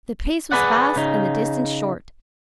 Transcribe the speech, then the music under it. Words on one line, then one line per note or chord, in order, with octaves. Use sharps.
The pace was fast and the distance short.
G#4 A4 B4 D5 F#5
C#3 D#4